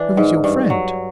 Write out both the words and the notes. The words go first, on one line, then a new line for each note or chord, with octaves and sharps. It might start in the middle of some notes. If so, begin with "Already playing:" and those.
"Who is your friend?"
Already playing: E3 D4
G#2
G2
F#3